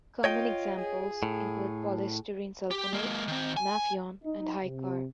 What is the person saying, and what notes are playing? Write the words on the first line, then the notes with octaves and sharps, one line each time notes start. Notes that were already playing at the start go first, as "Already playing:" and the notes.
Common examples include polystyrene sulfonate, Nafion and Hycar.
F4 C#5 D#5 G5
G#4
A2
G4
G#3 A#3
D#3 C4
G#5
D#4
C3